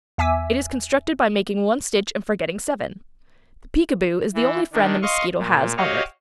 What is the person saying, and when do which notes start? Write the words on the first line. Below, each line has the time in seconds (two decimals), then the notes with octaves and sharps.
It is constructed by making one stitch and forgetting seven. The Peekaboo is the only friend the mosquito has on earth.
0.18 E2 E5 G#5 D6 E6 B6
4.34 E3
4.73 D#3 D4
5.02 D#5 F5 C6 C#6
5.38 A#2
5.77 F#4 G4 C#5 D#5 F5